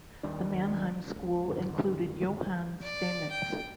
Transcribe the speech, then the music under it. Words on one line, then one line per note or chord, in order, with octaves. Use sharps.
The Mannheim school included Johann Stamitz.
D#2 D#3 G3 D4
C#2
F2 G#2 D3 D#3
D5
G5